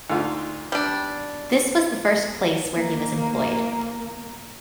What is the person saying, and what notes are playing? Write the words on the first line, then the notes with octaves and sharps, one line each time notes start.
This was the first place where he was employed.
D2 G#2 F4
G3 D4
A#3 A#4